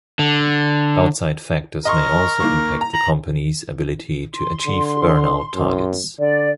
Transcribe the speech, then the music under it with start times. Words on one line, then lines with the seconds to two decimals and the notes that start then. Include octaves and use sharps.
Outside factors may also impact the company's ability to achieve earnout targets.
0.19 D3
1.85 A#4 D#5 C6 C#6
2.40 D#3 A#3 C#6
2.81 A#5
2.94 A#5 F#7
4.34 C6
4.66 D3
5.54 F#2
6.19 D3 D5